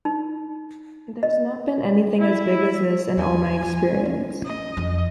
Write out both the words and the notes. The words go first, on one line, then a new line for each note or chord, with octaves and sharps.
There's not been anything as big as this in all my experience.
D#4
D#5
E4
E2 G#5
C#4
D#5
F2